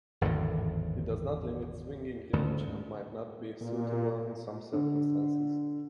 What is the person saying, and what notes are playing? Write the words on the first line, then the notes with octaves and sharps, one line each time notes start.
It does not limit swinging range, and might not be suitable in some circumstances.
G#1 E2 A2 D3
D2 G#2 C#3
A#2
D3